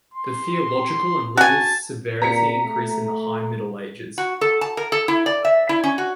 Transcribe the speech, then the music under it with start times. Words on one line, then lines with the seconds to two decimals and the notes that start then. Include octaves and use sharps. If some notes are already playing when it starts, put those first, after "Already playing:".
The theological and legal severity increased in the High Middle Ages.
0.14 C6
1.37 F#4 G#5 A5
2.22 A#2 A#5 B6 C#7
2.65 A3
4.18 F#4
4.41 A4
4.61 A5
4.77 A#4
4.92 A4
5.08 E4
5.26 D5
5.45 E5
5.69 E4
5.84 C#4
5.98 F#4